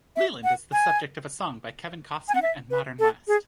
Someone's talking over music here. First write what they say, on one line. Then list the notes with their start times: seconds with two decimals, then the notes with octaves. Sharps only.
Leland is the subject of a song by Kevin Costner and Modern West.
0.16 E5
0.44 F#5
0.73 G#5
2.28 G#5
2.35 F#5
2.42 E5
2.71 B4
2.99 A4
3.28 G#4